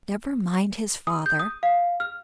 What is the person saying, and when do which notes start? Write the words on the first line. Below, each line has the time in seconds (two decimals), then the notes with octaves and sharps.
"Never mind his father."
1.07 D#6
1.26 G6
1.40 D#6
1.63 F5
2.00 F6